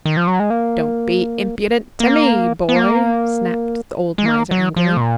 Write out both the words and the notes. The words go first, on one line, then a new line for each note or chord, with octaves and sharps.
"Don't be impudent to me, boy!" snapped the old miser angrily.
D#3
F3
F#3
G#3
A#3
A#3
B3
A#3
G#3
A#3
F#3
F3
B2
A#2